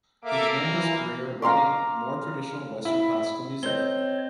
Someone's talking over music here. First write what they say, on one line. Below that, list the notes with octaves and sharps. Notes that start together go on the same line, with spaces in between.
He began his career writing more traditional Western classical music.
A#3 A4 E5 D6
E3
F5 A#5 C6 D6
E4
C4 A#4 C#5 D#5 G6 G7